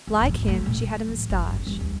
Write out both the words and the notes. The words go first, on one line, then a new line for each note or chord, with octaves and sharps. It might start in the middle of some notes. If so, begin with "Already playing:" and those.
Like him, she had a mustache.
D2
E1
G#1
A3
A#2
F#3
A1
G1
G1
G3
D#2